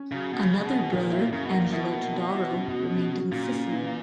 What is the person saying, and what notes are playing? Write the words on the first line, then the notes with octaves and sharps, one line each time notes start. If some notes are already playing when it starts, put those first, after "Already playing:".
Another brother, Angelo Todaro, remained in Sicily.
Already playing: C#4
C#3 F#3
B2 C#4
C#3
G#4
B2
G#4
A#2 D#3
E4
F#2 C#3
B2
D#3
A#2
B2 E4
A#3
D#3
E4
C#3
F#4
C#3
F#4
A#2 C#3
C#3
E3